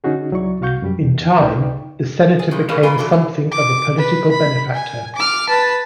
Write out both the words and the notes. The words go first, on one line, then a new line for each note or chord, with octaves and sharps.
In time, the senator became something of a political benefactor.
D3 C#4 D#4 F#4 G#4
C#2 F#3 E4 D5 C#6
C2 F#4 F5 C#6 G6
F#2 G3 G4
E2
C#2 D#4 B4 D5 G5 C#6
G#4
G2 D#3 G#3
B2 E3 G#3 A#3 B3 C#4
G#2 B2 F4 B4 G#5
E3 F#3 D4 A4
E3
D6
B4
B5
G#5
D6 F6
B4 A5